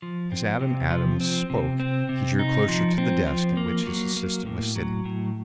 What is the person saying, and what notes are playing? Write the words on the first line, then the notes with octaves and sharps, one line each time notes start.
As Adam Adams spoke he drew closer to the desk at which his assistant was sitting.
F3
C4
C3
F3
C4
C3
C4
C3
D#4
F3
C4
F3
A#3
F#3
A#3
A2
F#3
A2